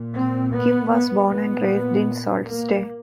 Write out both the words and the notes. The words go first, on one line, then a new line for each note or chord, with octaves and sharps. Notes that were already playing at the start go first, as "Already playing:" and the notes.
Kim was born and raised in Sault Ste.
Already playing: A#2
C4
B3
B3
A#2 B3
A#3